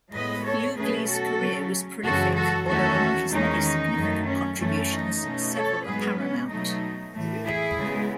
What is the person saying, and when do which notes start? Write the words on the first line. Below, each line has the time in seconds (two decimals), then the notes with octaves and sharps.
Lugli's career was prolific, although among his many significant contributions, several are paramount.
0.12 A2 G#3 B3 B4 D#5
0.44 A4 C#5
0.76 B2 F#3 A3 C#4 G#4 B4
1.08 F#4 A4
1.40 C#3 F#3 C#4
2.04 F#2 C#3 E3 G#3 F#4 A4
2.35 F#4 A4
2.67 E2 D#3 A3 C#4 F#4 A4
3.31 E2 D#3 G#3 C#4 D#4
3.94 F#2 D#3 F#3 A3
4.27 C#4
4.58 F#2 E3 A3 C#4
4.90 D#4
5.22 B2 A3 C#4
5.54 A4 C#5
5.85 G#2 F#3 B3 G#4 B4
6.17 C#4
6.49 B2 F#3 A3 D#4
7.13 A2 E3 A3
7.45 E4 G#4
7.77 C#3 G#3 B3